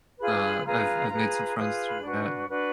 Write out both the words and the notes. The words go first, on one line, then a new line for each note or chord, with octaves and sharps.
Uh, I've I've made some friends through that and
F4 G#4 B4 B5
D6
B5
F4 G#4 B4 A#5
F4 G#4 B4
F4 G#4 B4 D#6
B5
D4 F#4 B4
D4 F#4 B4